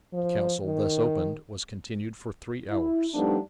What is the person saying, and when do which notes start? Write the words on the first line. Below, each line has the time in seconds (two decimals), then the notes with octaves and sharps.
The council thus opened was continued for three hours.
0.14 F3
0.65 D#3
2.70 E4
3.14 F3 G3 A3 B3 D4 D#4